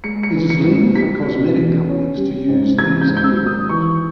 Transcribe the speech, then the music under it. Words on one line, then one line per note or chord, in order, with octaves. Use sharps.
It is legal for cosmetic companies to use these chemicals.
G#3 C#7
C#7
E3
C#7
G#2
G3 B6
B2
E2
C#4
G3
G#2
E3 G#6
G6
G#2
G6
E6
G#1
D#6
E3 C#6